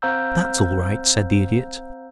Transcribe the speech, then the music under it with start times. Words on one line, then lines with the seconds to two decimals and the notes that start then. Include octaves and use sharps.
"That's all right," said the Idiot.
0.02 C4 C5 F5 A#5 E6 G6